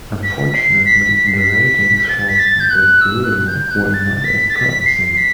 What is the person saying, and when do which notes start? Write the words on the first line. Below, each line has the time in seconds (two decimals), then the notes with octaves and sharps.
Unfortunately, the ratings for "The Brew" were not as promising.
0.23 B6
0.54 C7
0.85 B6
1.16 B6
1.27 C7
1.37 B6
2.09 A6
2.28 B6
2.39 A6
2.60 G6
2.70 F#6
3.01 E6
3.24 F#6
3.47 G6
3.71 F#6
3.94 A6
4.16 A6
4.24 B6
4.49 A6
4.55 B6
4.86 C7
5.17 B6